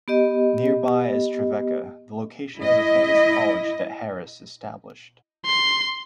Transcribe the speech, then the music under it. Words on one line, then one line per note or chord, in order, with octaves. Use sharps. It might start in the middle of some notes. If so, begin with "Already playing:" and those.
Nearby is Trevecca the location of the famous college that Harris established.
B3 G4 D#5
E4 D#5
C6